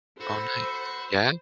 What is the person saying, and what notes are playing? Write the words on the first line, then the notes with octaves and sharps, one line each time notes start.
Oh, nice. Yeah?
F#4 A4 C5 B5